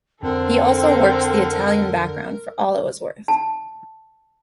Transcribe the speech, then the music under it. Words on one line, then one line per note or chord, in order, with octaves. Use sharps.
He also worked the Italian background for all it was worth.
F2 D3 C4 A4 A#4
A5